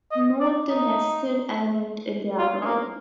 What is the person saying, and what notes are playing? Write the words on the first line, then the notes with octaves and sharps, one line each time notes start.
Note the nested element in the algorithm.
D#5
D5
D#4
F4
G#3
A#3